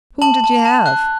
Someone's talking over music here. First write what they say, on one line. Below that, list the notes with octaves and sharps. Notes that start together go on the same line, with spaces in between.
Whom did you have?
A5 F#7
A5
A5
F#6